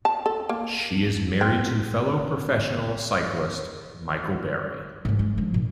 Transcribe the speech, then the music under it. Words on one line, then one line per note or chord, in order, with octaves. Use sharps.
She is married to fellow professionial cyclist Michael Barry.
A5
A4
A#3
C4
G#2 G#3
G#3
G2 F3
A#2